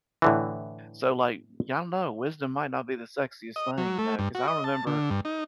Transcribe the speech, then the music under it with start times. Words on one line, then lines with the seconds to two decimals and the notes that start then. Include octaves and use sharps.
So, like, y'all know wisdom might not be the sexiest thing, you know, 'cause I remember
0.22 A2 D3 E3
3.56 D#5
3.78 F#3
3.99 A3
4.19 G2
4.35 F#4
4.47 D#5
4.64 A5
4.87 D3
5.10 G2
5.25 D#4